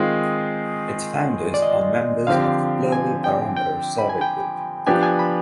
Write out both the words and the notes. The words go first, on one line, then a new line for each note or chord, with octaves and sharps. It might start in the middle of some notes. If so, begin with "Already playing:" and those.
Its founders are members of the Global Barometer Survey group.
Already playing: D#3 G#3 C4 F4 G#4 G5
D5
D#5
D3 F3 C4 G4 F5
G#5
G5
G5
B5
G#5
G5
F3 B3 D4 G4 G#5
G#5
B5